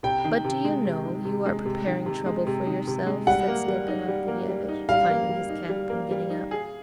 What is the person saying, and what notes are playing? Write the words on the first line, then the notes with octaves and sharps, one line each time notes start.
"But do you know you are preparing trouble for yourself," said Stepan Arkadyevitch, finding his cap and getting up.
C3 G5
D#3
C3
G#3
C3
D#3
C3
G#3
C3
D#3
C3
G#3
C3
D#3
C3
G#3
G3 F#5
A#3
G3
D#4
G3
A#3
G3
D#4
G3 F5
A#3
G3
D#4
G3
A#3
G3
D#4
G#4